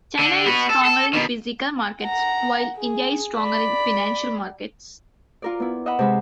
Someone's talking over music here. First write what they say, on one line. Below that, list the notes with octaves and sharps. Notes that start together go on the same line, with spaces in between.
China is stronger in physical markets while India is stronger in financial markets.
D3
B3 F#4
A4
A4
B2 D#3
F#5 A#5
G#4
D5 B5
F4 A#4 D5
B3 E4
D#5 E5 F#5 B5
C3 G#3 B5